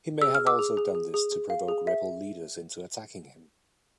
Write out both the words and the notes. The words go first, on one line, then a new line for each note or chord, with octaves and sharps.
He may have also done this to provoke rebel leaders into attacking him.
G#4 E6
F6
G#4
D6 E6
G#4
G#4
G#4
G#4
G#4
F5
G#4
E5